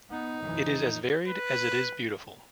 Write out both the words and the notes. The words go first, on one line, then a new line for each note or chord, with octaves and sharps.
It is as varied as it is beautiful.
B3 D#4
F2 A2 E3
B4